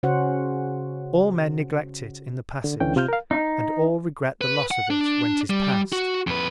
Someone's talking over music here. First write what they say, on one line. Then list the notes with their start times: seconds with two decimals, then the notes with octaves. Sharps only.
All Men neglect it in the Passage; and all regret the Loss of it when 'tis past.
0.03 C#3 C#4 F#4 C5 F#5
2.64 D3
2.80 C#2 D3 E3 C#4 G5
2.96 C3 F4 F6 G6
3.08 A#4 F5
3.31 D#4
4.41 B4
4.71 F#5
4.90 D4
5.50 G3
5.93 F#4
6.27 F2 B4